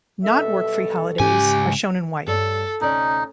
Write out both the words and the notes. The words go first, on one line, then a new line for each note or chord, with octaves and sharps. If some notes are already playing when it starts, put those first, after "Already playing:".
Not work-free holidays are shown in white.
B2 G3 A4 E5
C#2 G#2 C#4 G4 G#5
G2 A4 C#5 D5
D2 C3 C#4 D#4 D5